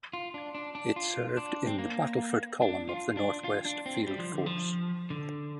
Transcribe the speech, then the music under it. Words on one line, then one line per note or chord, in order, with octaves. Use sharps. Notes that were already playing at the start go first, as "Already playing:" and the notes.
It served in the Battleford Column of the North West Field Force.
F4
D4
D4
D4
F4
D4
C4
A#3
D4
F4
D4
F4
D4
C4
G3
F3
D3
F3
D3